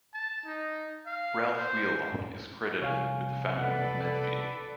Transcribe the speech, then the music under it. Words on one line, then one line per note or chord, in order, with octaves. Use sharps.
Ralph Wheelock is credited with the founding of Medfield.
A5
D#4
F5
C5
C2 E3 F3 C#5 F5 G#5
B2 A4 B4 D5 F#5